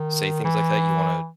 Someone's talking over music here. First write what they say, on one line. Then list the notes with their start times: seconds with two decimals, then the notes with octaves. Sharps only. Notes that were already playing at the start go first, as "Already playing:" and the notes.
say things like that, you want
Already playing: D#3
0.44 E3